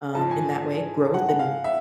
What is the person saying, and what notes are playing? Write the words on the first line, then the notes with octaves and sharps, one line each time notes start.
um, in that way, growth and
G#2 F3 G#3 A5
G#5
F#5
F#5
F5
E5